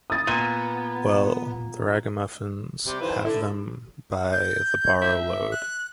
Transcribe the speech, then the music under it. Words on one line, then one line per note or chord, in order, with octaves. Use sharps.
Well, The Ragamuffins have them by the barrow load.
D#6 A6
A#2 B3 D#7
C3 G3 G4
F2 D#3 E4 F4 B4 C5
D3 E4
G6
E5
F#6